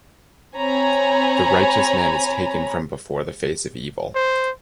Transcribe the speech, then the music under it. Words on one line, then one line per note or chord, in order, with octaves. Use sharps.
The righteous man is taken from before the face of evil.
C4 C#5 G#5 A#5 B5
C5